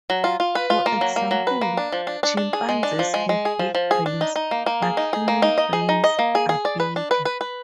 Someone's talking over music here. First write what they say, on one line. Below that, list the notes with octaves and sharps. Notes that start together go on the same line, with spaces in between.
For example, chimpanzees have big brains, but human brains are bigger.
F#3
F4
F4
B4
F4
A#3
F#3
A#3
F#3
B4
A#3
D4
F3
D4
D4
D4
G#4
G#3
D4
F3
G#3
G#3
G#4
F3
F3
G#4
D4
D#4
D#4
A#3
A#3
G#4
D#4
G#4
A#3
D#4
D#5
G#4
D#4
D#5
A#3
G#4
G#4
D5
B4
D4
B4
B4
B4